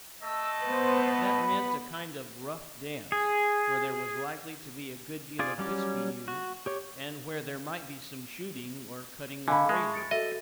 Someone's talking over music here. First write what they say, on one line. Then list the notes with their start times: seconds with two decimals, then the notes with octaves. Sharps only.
That meant a kind of rough dance, where there was likely to be a good deal of whiskey used, and where there might be some shooting or cutting with razors.
0.23 A3 D#5 A5 E6
0.64 B3 B4 C5
1.21 B5
3.12 G#4
5.39 F4 G#4 D5
5.58 F#3 G3 C#4 D6
6.28 F#4
6.66 G4 C#5
9.48 D3 D#5 F5 G#5 B5
9.69 G#3 E5 A5 C#6
9.94 A6 C#7 D7
10.11 F#4 A4 D#5 E5 A6